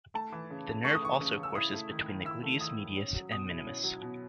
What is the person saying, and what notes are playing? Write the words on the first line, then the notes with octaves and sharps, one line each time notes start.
The nerve also courses between the gluteus medius and minimus.
A3 A5
E3
C#3
C#3
A3 C#6
D#6
E3 C#6
C#3
C#3
E6
E4 D#6
A3
D#3
D#3
E4 E6
A3
D#3 D#6
D#3
C#4
F#3
B2 D#6
E4
C#4
F#3
B2